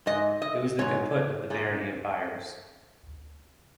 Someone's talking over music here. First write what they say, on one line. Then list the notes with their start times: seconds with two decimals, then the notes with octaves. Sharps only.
It was the caput of the Barony of Byres.
0.06 G#2 G#3 D#5
0.42 D#5
0.78 G#2 G#3 C#5
1.50 A#2 G#3